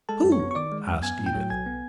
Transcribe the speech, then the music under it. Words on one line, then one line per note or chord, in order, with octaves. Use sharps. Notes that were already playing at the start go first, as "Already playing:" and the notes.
"Who?" asked Edith.
G#3 A4 A5
F#2
C#5 C#6
B3
C#6
D#3 D5 D6
G#3
F#2
B3 G#5 G#6
A2
G5 G6
F#3
B1 G#5 G#6
B3